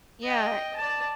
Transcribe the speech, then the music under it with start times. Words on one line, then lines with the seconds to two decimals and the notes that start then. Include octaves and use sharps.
Yeah, eh
0.24 D#5 G5
0.76 D5 A5